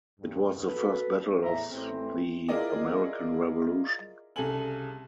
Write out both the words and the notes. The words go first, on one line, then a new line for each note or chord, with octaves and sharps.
It was the first battle of the American Revolution.
A#1 E2 G2
F#4 A4 B4
E2 A2 E3 E5 A#5
A1 E3 A3 C4
E4 F4 G#4 A#4 D5 D#5
C2 C#3 A4 G#5 F#7